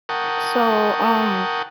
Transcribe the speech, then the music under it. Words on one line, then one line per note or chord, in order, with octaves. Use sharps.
so, um,
A#4 F#5 G5 A5 C#6 D#6